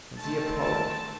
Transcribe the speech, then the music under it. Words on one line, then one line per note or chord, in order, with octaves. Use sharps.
Is he a poet?
D#3 A3 C4 A5
A5